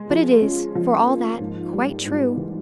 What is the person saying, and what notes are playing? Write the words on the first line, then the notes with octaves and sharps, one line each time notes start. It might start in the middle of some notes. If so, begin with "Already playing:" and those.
But it is, for all that, quite true.
Already playing: G#3
F3
C#4
F3
A#3
G#2
G3
G#2
E3